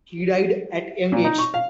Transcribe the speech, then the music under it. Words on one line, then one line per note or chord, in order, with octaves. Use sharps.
He died at young age.
A#2
D#4
C#6
F5